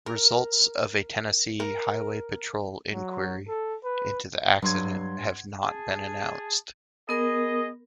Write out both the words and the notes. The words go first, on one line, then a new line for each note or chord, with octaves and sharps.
Results of a Tennessee Highway Patrol inquiry into the accident have not been announced.
A#4
A#4
F#3
A4
B4
G2 F#3 C6 G#6
G#4 A5
B3 G#4 A#4 D#5